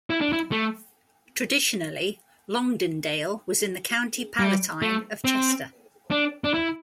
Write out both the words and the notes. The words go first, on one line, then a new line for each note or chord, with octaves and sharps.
Traditionally, Longdendale was in the County palatine of Chester.
E4
D4
E4
A3
G3
A3
C4
D4
D4
E4